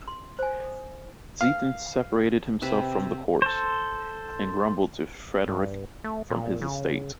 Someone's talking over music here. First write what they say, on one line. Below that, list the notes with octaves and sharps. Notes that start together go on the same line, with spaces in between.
Zieten separated himself from the court, and grumbled to Frederick from his estate.
C6
C5 G#5
F5
C3 B4 E5
A4 C5
G2
A3
A#2
C#3